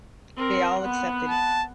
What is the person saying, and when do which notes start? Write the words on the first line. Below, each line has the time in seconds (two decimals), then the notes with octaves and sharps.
They all accepted.
0.36 C4 A#4
0.80 B3 F#5
1.29 A5